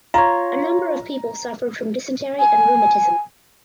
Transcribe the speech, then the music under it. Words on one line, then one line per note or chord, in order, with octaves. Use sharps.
A number of people suffered from dysentery and rheumatism.
F4 C#5 A#5
G#5